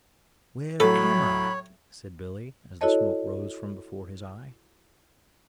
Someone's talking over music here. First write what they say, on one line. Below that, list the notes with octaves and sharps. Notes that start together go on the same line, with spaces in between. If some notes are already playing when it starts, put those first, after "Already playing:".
"Where am I?" said Billy, as the smoke rose from before his eye.
A2 F#3 A4 C#5 B5
E4 F#4 A4 C#5 D#5 A5